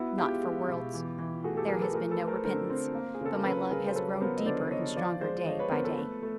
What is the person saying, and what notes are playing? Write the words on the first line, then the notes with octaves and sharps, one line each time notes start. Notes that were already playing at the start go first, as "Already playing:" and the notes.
"Not for worlds: there has been no repentance, but my love has grown deeper and stronger day by day."
Already playing: B3 E4 F#4
G#3 F4 G4
G#3
B2
E3
E3
A3 F#4 G#4
G4 A4
E3 G#4 A#4
A4 B4
A3 G#4 A#4
A4 B4
A3
A#4 C5
D3 A#4 C5
C4
A#3
G#4
C#3 A4
A#4
C#3 A4 B4
C#3 G#4 A#4
C5
F#3 A4 B4
B3 A#4 C5
D#5
D3 C5 D5
D3 C#5 D#5
F3 C5 D5
G#3 C5 D5
F3 C#5 D#5
B4 C#5
B3 A#4 C5
A4 B4
A3
A3